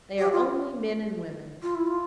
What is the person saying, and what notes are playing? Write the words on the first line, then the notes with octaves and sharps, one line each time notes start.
They are only men and women.
G4
F4
F4
E4
F4